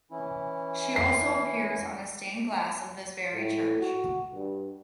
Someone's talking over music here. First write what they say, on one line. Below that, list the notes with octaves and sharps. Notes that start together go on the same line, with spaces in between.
She also appears on a stained glass of this very church.
E3 C#4 E4
C7
A2
F#4
G2